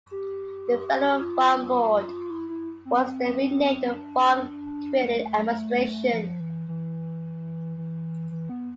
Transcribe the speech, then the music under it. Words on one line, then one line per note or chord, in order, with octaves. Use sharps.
The Federal Farm Board was then renamed the Farm Credit Administration.
G4
G4
F4
E4
E4
C4
C4
D4
A3
F3
E3
E3
E3
E3
B3